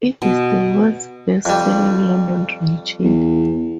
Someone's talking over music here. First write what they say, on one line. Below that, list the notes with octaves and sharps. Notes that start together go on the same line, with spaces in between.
It is the world's best selling London Dry gin.
B2
F2 G3
E2